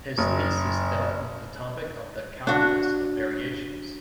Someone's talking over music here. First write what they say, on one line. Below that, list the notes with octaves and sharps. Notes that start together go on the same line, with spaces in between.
His thesis dealt with the topic of the calculus of variations.
F#1
D4 F#4